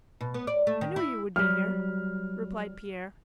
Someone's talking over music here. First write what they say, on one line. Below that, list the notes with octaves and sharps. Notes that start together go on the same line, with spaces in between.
"I knew you would be here," replied Pierre.
B2
B3
D5
A3
D#3
E4
F#3 G3 F6